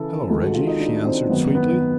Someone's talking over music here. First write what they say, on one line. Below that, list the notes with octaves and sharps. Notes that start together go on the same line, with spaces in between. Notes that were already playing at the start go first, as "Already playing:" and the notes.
"Hello, Reggie!" she answered sweetly.
Already playing: C#3 E3 A4
C#2 C3 D#3 A4
F#4
F4
D#4
D4
C4
G#1 F#2 D#3 B3
B3